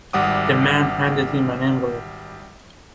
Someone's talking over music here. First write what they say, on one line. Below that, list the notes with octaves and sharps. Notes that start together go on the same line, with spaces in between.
The man handed him an envelope.
G#1 G3 F#5 D6 D#6